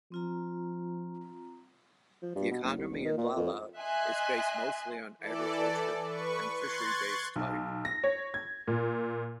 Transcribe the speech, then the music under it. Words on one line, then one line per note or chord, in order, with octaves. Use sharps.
The economy in Lala is based mostly on agriculture and fishery-based type.
F3 C4 F4 A#5
F3
G2
B2
F#1
C2
E1
D#3
A#2
F2
D#5 E5 G#5 C6 F#6
E3 A4 D5
B4 C#6
C6 C#6 F#6 G#6 A6
B1
A#6
C#5
G#6
A#2